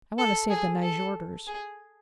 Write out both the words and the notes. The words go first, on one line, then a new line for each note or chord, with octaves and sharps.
I want to save the Nyjorders.
A4
G#4
A4
G#4